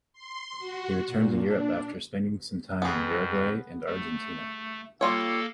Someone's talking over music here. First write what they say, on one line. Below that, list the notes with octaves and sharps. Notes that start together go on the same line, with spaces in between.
He returned to Europe after spending some time in Uruguay and Argentina.
C6
F#4
A#2
D4
F2 B3 G#4
A3
G3 A#3 F4 A4 C#5